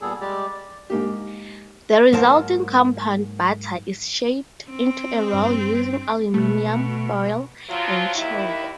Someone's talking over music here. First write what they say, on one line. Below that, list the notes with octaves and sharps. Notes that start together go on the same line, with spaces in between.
The resulting compound butter is shaped into a roll using aluminium foil and chilled.
A#2 G3 B3 G#4 A4
G3 G#3 G4 D5
D5
G#2 A#3 G4
G#2 F#3 A#3 A#4 C5 A5
C4
G2
B2 A3
F3 F#3 F4
D#2 E4